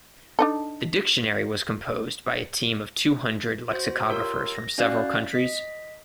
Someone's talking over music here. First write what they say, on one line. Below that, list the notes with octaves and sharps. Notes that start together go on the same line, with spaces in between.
The dictionary was composed by a team of two hundred lexicographers from several countries.
D4 D#4 A4
F#4 C5
F4 G4 A#4 C#5 C6 E6
A#6
C#4 F#4 D5 F5 F#6
D#5 B6